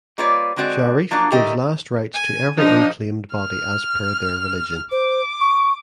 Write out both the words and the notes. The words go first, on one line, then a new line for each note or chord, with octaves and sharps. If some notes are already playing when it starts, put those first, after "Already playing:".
Sharif gives last rites to every unclaimed body as per their religion.
G3 A#3 F4 B4 C#5 D5
D3 G#3 C4 F#4 D5
F3 F#3 A#3 D4 F4
D3 G3 A3 G4 A#4 D#5
G#5
F3 D4 D#4
F6
C5 D6
C#6